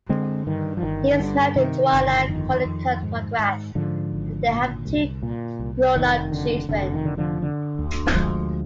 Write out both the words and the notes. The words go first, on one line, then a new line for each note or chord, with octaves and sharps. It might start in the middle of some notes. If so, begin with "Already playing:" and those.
He is married to Joanna Collicutt McGrath and they have two grown up children.
D3 G#3 C4
G2 D#3
F3
G1 D#3
G2 D3
C3 D#3
G1
F2 D#3
F2
G#2
G#2
G#2 D3 F3
G#1
A#2
C2
A#2
C2
F1 D#3
D3
F1 D3
D#3
D3
D3 F3
D3
D2
D2 F3 G#3